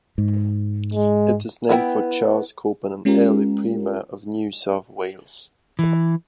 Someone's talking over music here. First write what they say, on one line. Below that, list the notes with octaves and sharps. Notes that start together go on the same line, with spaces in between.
It is named for Charles Cowper, an early Premier of New South Wales.
G#2
G#3
B3 E4 F#5 G5
G#3 C#4 F4 G4 A#4
E3